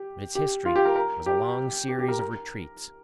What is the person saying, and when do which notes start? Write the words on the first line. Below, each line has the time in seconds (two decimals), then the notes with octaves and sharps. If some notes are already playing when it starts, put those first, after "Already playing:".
But its history was a long series of retreats.
Already playing: G4
0.35 G4
0.65 F4
0.76 G4
0.86 A#4
0.96 A#4
1.26 G4
1.88 G4
1.99 G4
2.08 A#4
2.19 A#4